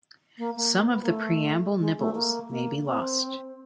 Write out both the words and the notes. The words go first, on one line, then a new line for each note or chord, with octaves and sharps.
Some of the preamble nibbles may be lost.
A#3
A#3
C4
B3
A#3
A3
G#3
A3
A#3
A#3
C4